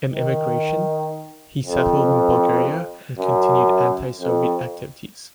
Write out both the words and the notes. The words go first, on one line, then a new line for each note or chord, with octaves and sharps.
In emigration, he settled in Bulgaria and continued anti-Soviet activities.
D#3
F2
F#2
F2